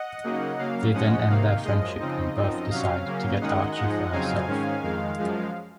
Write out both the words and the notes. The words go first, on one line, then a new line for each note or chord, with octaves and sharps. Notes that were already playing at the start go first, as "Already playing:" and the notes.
They then end their friendship and both decide to get Archie for herself.
Already playing: D#5 F#5
C#3 F#3 A#3 D#4
C#3 F#3 A#3 F5
G#2 F3 G#3 C#4 D#5 F#5
C3 D#3 A#3 D#4 F5
F#2 F3 G#3 D#5
C#3 F3 C4 D#4
F#2 F3 C4 D#4
C3 F#3 C#4 F5
C#3 F#3 A#3 C#4
F#2 D#3 G#3 D#4 D#5 F#5
G#2 F3 G#3 D#4 D#5 F#5
F2 C#3 F#3 C4 D#4 F5 G#5
G#2 D#3 G#3 C#4
F2 D#3 G#3 F5
F#2 F3 G#3